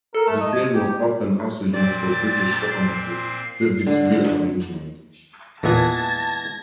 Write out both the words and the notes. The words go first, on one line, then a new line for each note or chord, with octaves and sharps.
This name was often also used for British locomotives with this wheel arrangement.
A4 A#4
A3 A5
D#5
G#6
G4
A#2 C4 D5 A6
C7
D3
E2 A#2 E3 G#3 B3 A5 G#6 A#6